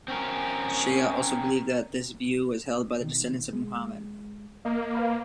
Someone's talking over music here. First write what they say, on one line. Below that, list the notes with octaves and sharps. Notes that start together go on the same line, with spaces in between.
Shia also believe that this view was held by the descendants of Muhammad.
C4 C#4 A#4
B2 D#3
G#3
A#3 D#5
B4 F5 B5